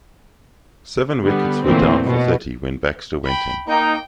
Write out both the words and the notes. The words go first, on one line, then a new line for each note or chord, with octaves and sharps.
Seven wickets were down for thirty when Baxter went in.
D3 G3 B3
A#2 D3 E3 A3 A#3 C4
B2
G5 B5
A#3 D#4 G5